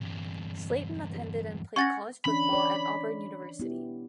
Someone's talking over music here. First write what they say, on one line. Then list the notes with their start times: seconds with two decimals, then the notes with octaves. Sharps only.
Slayton attended and played college football at Auburn University.
0.02 E2 G2
1.76 C#4 F#5 C#6 A6 A#6
2.25 E3 C#4 D4 B5
2.53 C#5 D5
3.60 B3 E4 G4